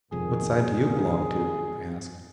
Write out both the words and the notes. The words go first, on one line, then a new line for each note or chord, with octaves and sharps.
"What side do you belong to?" I asked.
E1 A1 F2 C3 D#3 G#4